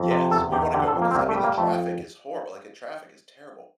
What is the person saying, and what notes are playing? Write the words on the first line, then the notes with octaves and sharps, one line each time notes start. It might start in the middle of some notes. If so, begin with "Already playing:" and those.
Yes, we wanna go because, I mean, the traffic is horrible, like, a traffic is terrible.
Already playing: F2
C3
E2 A4
E2 G4
D3 G4
A4
F2
A#3
C4
C2 A#3
A3
G3
A#3
F2 A3